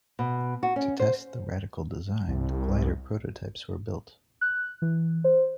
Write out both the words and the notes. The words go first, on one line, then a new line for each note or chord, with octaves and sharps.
To test the radical design, glider prototypes were built.
B2
F#4
C#4
C5
C2
F#6
E3
C5